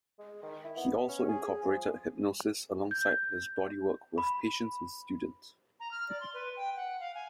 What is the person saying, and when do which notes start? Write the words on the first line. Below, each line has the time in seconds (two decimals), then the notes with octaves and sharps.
He also incorporated hypnosis alongside his bodywork with patients and students.
0.19 G#3
0.43 D#3
0.64 E4
0.77 B3
1.08 C#4
1.29 G#4
1.63 F3
2.91 G6
4.18 B5
5.80 A#5
5.91 F6
6.09 D5
6.20 C6
6.34 B4
6.56 G5
6.76 F#5
7.00 F5
7.15 G#5